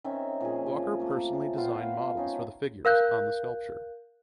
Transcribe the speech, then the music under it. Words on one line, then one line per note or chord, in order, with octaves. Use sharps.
Walker personally designed models for the figures on the sculpture.
D#3 C4 C#4 E5
A#2 F3 G#4
F3
A3 A#3
B3 F4 F5 G5
C#4 D#4
A#4 F5 F#6 G6